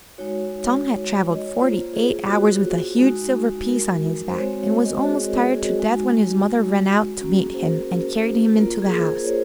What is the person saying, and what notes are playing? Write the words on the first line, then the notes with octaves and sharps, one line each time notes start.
Tom had traveled forty-eight hours with a huge silver-piece on his back, and was almost tired to death, when his mother ran out to meet him, and carried him into the house.
G#3 D#4 F#4 C#5
D#5
C#5
A#3 F4 C5
G#4
F#4
G#3 D#4 F#4
A#4
C5
G#3 C4 F#4 C#5
C#5
D#5
F#4
G#4
A#4
G#4
F#4
G#3 D#4 F#4
A#3 C#4 F#4
G#4
C5
A#4
A#3 F4 A#4
G#4
C5
A#4
C#5
C5